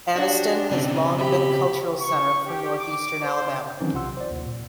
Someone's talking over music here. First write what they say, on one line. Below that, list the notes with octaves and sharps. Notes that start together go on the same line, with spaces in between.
Anniston has long been a cultural center for northeastern Alabama.
D4 F#4 G4
C#3 C4
G4 B5
C#6
G4
D6
C5
D#3 E3 F#3 C4 C#4 D#4
B1 C3 F4 F#5 C6 E6
C5 D5
D#2
A#2